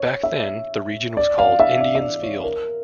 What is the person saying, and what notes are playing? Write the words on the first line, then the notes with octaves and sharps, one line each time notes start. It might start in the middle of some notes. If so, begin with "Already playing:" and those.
Back then, the region was called "Indians' Field".
Already playing: C#5
E5
D5
F5
E5
D5
E5
D5
C#5
A#4